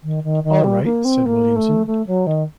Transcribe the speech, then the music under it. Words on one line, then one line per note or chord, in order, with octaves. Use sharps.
"All right," said Williamson.
D#3
D#3
D#3
G3
A#3
C4
A#3
A3
A3
F#3
D#3